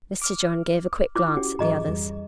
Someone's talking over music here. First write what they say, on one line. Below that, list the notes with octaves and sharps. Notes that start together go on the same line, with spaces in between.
Mr. John gave a quick glance at the others.
D6 F6
E4 D6
C#4 F#4 G4
G#2 E3 F#3 G#4 D#5 A#5
F2 G3